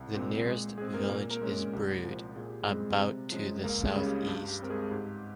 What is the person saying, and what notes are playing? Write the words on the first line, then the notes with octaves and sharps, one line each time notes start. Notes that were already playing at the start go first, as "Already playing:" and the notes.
The nearest village is Brewood, about to the south-east.
Already playing: C2
A#2 G#3 C4
A#2 G#3 G#4
G#3 G#4
C4
G#4
A#3 A#4
A#2 A#3 A#4
A#3 A#4
G#3 C#4
C2 G4
A#2 F3
A#2 G#4
G4
G#3 G#4
G3 C4
C3
F3 G#3 C#4
C#2 A#3 A#4
G#3 G#4
C#3 G3 C#4
G4
G2 G4
G4
G3 C4 A#4
G#3 G#4
G#2 G4